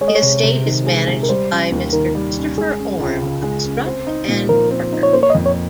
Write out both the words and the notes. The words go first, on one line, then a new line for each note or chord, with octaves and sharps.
The Estate is managed by Mr Christopher Orme of Strutt and Parker.
G#3 C#5
D#5
C#5
C3
C3
D#3
G#3
C3
A#4
G3 C5
C#4
D#2
D#3 A#4
G3
C#4
G#3 G#4
C#4
C#2
C#3
G#3
C#4
C4
D#4
A#2
F3 A#4
C4
D#4
C#5
A#3 C5
C#5
D#5
F2
C#5